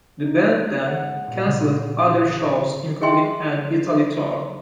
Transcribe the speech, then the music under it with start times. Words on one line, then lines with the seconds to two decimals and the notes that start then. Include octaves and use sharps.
The band then cancelled other shows including an Italy tour.
0.24 D#4
0.44 E6
0.87 F#5
1.03 G#3
1.28 A#2
1.45 C#3
2.09 A1
2.30 C7
3.01 G#4 D#5 E5 G5 G#5 C6